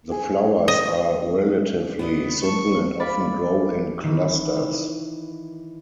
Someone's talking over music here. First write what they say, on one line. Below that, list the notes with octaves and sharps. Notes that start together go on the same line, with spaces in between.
The flowers are relatively simple and often grow in clusters.
G#4
D#5
B3 D4 D#5
A5 C#6
D5 F5 B5 A6
D#3 E3